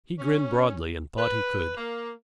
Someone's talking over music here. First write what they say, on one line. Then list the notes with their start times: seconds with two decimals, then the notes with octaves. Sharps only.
He grinned broadly, and thought he could.
0.19 C#4
1.17 B4
1.77 A#3